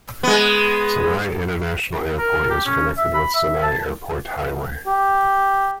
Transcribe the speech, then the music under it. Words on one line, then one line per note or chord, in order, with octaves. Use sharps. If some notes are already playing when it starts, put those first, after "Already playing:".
Senai International Airport is connected with Senai Airport Highway.
G#3 B3
A#4
G4
C#4
E5
B5
E5
A5
G4